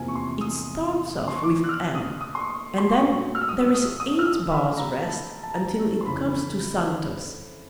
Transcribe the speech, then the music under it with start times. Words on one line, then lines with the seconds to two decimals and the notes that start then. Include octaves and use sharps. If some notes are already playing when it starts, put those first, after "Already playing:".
It starts off with "M" and then there is eight bars rest until it comes to Santos.
Already playing: E2 C3 F3 A#3 G#5
0.08 C#6
0.15 C6
0.41 D#6
1.28 C6
1.36 C#6
1.44 D6
1.64 F#6
1.69 F6
1.95 D#6
2.21 D#6
2.35 C6
2.40 C#6
2.78 C6
2.92 C6
2.97 A#2 F#3 A3 C#4 C#6
3.35 F6
3.42 E6
3.49 D#6
3.64 E6
3.75 D#6
4.00 D#6
4.19 F6
4.26 E6
4.52 B5
4.77 A#5
5.03 A5
5.43 A5
5.54 A#5
6.01 C6
6.05 F2 C#3 E3 B5